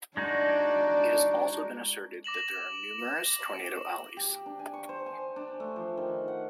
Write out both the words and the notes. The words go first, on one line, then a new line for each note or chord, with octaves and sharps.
It has also been asserted that there are numerous Tornado Alleys.
G#3 D4 D#4 F#4 D5
D6 A#6 E7 F#7
G4
D4
G#5
C#6
C5
G#5
D4
A3
F3
D#3
F#5